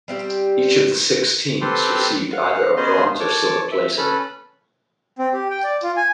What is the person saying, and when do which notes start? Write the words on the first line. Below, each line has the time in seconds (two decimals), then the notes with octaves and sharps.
Each of the six teams received either a bronze or silver placing.
0.08 G3 C4 F4 G4
1.61 C4 G4 A4 B4 C6
2.33 F5 F#5
2.77 B3 C#4 G#4 C5 D#5 C6
3.20 C#5 A5 D6
3.72 E5
3.98 C#4 A4 B4 B5
5.19 C4
5.33 G4
5.50 G5
5.64 D5
5.83 F4
5.97 G#5